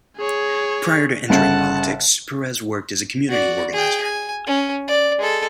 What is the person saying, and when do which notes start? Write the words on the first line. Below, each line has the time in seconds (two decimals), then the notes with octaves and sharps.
Prior to entering politics, Perez worked as a community organizer.
0.17 G#4 C#5
1.30 G1 C#3 F#5 A5
3.29 F#4 D5
3.73 G#4 G5
4.03 G#5
4.47 C#4
4.88 D5
5.18 G#3 A4